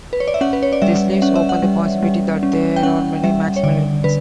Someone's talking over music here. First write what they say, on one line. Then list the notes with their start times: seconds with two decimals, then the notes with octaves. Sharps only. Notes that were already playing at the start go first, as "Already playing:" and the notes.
This leaves open the possibility that there are many maximal elements.
0.13 B4
0.20 C#5
0.28 D5
0.34 E5
0.41 C#4 F#5
0.53 B4
0.63 C#5
0.73 D5
0.82 G3 E5
1.22 C#4 F#5
1.36 E5
1.49 F#5
1.62 G3
2.03 G3
2.43 C#4
2.76 G5
2.83 C#4 F#5
3.23 G3 E5
3.56 C#5
3.63 D3 D5
4.04 D3 B4